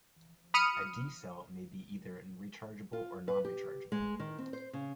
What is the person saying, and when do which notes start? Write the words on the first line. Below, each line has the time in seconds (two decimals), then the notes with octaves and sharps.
A D cell may be either rechargeable or non-rechargeable.
0.54 B5 D#6 F6 C#7 D#7
2.93 F4
3.28 B4
3.45 G4
3.92 G#3
4.20 D#3
4.39 C4
4.53 C5
4.73 C#3